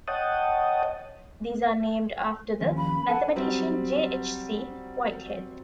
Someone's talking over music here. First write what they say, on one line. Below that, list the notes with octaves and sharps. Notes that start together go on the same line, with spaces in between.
These are named after the mathematician J. H. C. Whitehead.
C#5 D#5 F#5 G5 A5 D#6
D#2 F3 C#4
B5
A4 F#5 G#5 A5
F#3 G3 C4